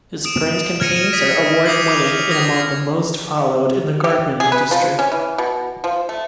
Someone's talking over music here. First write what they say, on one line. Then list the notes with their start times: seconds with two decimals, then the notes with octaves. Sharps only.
His print campaigns are award-winning and among the most followed in the garment industry.
0.25 D#6 D7 E7
0.80 F6 G#6 A#6 C#7 D#7
1.13 D#6 G#6 B6
1.66 D6 D#6 G6 B6 C7 F#7
1.88 D6 D#6 F6 F7
2.30 D6 D#6 G#6 A#6 F7
4.04 G4
4.40 G#4
4.52 B4
4.71 F3
4.99 C#4
5.12 E3
5.38 B2
5.84 F3
6.09 A3